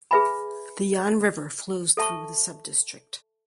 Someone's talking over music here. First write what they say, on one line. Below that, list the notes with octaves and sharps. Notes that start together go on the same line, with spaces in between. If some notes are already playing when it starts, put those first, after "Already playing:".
The Yan River flows through the subdistrict.
G#4 B4 E5 G#5 B5
A4 E5 A5 C#6